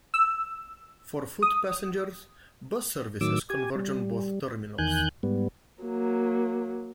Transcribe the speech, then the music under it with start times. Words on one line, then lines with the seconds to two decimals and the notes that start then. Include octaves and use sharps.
For foot passengers, bus services converge on both terminals.
0.14 E6
1.43 D#6
3.21 A2 D#3 F#3 D6 E6
3.50 G4 G#5
3.76 G3
4.78 E2 D#3 G#5 F#6 G6
5.23 G#2 G3 B3
5.82 F#3 A#3